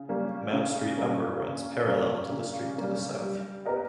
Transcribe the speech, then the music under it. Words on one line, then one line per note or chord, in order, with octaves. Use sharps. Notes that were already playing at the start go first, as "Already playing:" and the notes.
Mount Street Upper runs parallel to the street to the south.
Already playing: C#3
G3 A#3 C#4
C#3
G3 A#3 C#4
C#3
G3 A#3 C#4
C#3
G3 A#3 C#4
G3
B3 G4 A#4 D#5